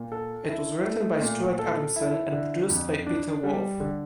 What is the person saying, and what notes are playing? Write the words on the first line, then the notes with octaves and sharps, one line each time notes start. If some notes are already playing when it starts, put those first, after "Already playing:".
It was written by Stuart Adamson and produced by Peter Wolf.
Already playing: A#2
A4
E4
A3
A#2
A4
E4
D3
F2
D4
G3
D3